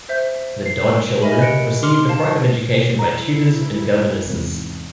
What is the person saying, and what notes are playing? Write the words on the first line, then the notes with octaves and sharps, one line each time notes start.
The Dod children received a private education by tutors and governesses.
C5 E5 G6
C7
G4 A#4 D#5 E5 G#5 B5
D#5 F#6 C#7 D7
C6 D6 F6
F5 A5
E4 A#5
E2 G#2 C3